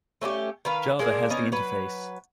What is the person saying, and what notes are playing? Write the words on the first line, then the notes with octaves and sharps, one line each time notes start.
Java has the interface.
A3 C#4 F4 G4
D#3 B4 F5
G#3 A#3 D4 A#4
B3 C#4 D#4 A#4
F#3 B4